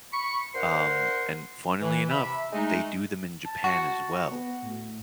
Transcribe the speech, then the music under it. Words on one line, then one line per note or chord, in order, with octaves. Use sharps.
um, and funnily enough, they do them in Japan, as well.
B5 C#6
G2 A#4 C5 F#5 C6
E3
C3 E5 B5
G#3 A3 D#4
A5
F#4
B3
A2